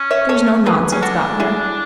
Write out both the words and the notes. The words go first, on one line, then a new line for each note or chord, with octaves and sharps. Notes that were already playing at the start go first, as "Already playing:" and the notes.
"There is no nonsense about her."
Already playing: C#4
C#5 E5
A4 C#5
G#4 B4
C#4 G#4
D4 F#4 A4
E4 G#4